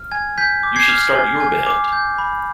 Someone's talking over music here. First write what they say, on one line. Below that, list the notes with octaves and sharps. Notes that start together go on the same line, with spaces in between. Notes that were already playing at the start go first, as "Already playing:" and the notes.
You should start your band.
Already playing: F6
G#5 G#6
G#5 G6 B6
D6
G#6 C7
F6
G#5
G#5
D6
G6
B5